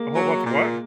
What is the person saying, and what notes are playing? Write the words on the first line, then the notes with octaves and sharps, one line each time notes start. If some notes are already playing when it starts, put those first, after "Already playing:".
A whole bunch of what?
Already playing: G#3 A#3
F#3
A#2